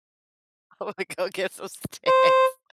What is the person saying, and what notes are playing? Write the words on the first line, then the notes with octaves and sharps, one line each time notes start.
"I'm gonna go get some snacks."
C5